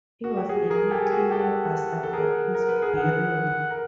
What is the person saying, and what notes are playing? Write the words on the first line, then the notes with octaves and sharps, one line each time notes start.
He was a little nervous about his bearing.
F#4
G4
F#4 G#4
G#4 A#4
G4 A4 G#5
F#4 G#4
G4 A4 F#5
A4
G#4 A#4
A#4
B4
G#4 A#4
F#5
A#4